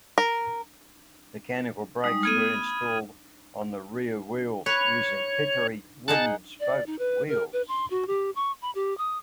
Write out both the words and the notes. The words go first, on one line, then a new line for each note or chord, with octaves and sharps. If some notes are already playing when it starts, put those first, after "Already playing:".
Mechanical brakes were installed on the rear wheels using hickory wooden spoked wheels.
A#4
G3 G#3 D#4 D#6
A3 B3 A4 F6 G#6 D#7
B5
B4 C#5
D#4 G#4 F#5 A5
D5
D#4
B4
A#4
B4
C6
F#4
G4
C#6
B5
G4
D#6